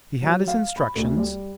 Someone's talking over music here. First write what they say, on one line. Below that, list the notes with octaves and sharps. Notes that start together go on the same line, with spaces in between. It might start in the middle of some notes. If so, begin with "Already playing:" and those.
He had his instructions.
F#3
F5
B5
D2
G3